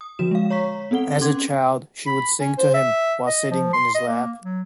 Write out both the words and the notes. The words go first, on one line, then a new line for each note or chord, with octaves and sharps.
As a child, she would sing to him while sitting in his lap.
D#6
D3 F3 F#4 E7
G#3 F5
C#5 A#5 C#6 B6
B3 C4 A4 F#5 G7
C#4 C6 D6 G#6
B5
C#4
C5
E5
D#5
F3
C6
D#5
A#3
F#3